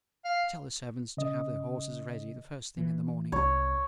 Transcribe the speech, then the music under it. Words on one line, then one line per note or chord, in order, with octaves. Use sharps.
Tell the servants to have the horses ready the first thing in the morning.
F5
C#3 D#5
E3
C2 C#5